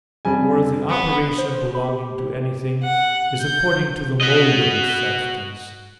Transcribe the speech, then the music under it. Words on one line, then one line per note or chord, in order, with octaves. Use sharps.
For the operation belonging to anything is according to the mode of its substance.
F2 G3 G#5
B3
C5
B5
G4
F#5
G6
F#4 D#5